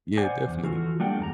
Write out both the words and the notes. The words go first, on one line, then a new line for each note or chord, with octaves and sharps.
Yeah. Definitely.
C5 D5 F#5 G#5
E2
E3 F4 F#4 A4
G3 A3 A#3 D4 F#5 G5
E2 G2 A5 A#5